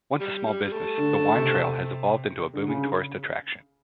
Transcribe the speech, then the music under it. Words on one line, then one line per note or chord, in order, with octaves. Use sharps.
Once a small business, the wine trail has evolved into a booming tourist attraction.
G3
G3
A3
D3
C3
D3
C#3